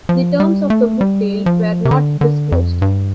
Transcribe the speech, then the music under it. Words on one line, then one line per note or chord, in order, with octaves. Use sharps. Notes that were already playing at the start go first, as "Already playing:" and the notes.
The terms of the book deal were not disclosed.
F3
G3
A3
G3
F3
C3
D3
D3
F2
G2